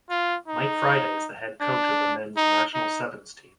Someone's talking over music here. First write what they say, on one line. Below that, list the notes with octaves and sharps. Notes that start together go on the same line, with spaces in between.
Mike Friday is the head coach of the men's national sevens team.
F4
D#4
D4
D#4
D#4